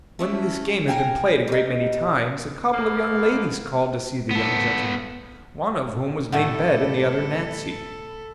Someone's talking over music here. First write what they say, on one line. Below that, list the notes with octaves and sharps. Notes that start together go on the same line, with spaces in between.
When this game had been played a great many times, a couple of young ladies called to see the young gentleman; one of whom was named Bet, and the other Nancy.
A3 C#4 E4
F5 G5 G#5 A#5
G3 D#4
G#2 B2 A#3
B3 A4
A2 C3 G3 A3 A4 F#5 B5